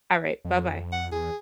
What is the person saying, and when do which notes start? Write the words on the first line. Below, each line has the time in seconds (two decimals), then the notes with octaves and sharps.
All right, bye-bye.
0.45 F2
0.92 F#5
1.12 E2 G#4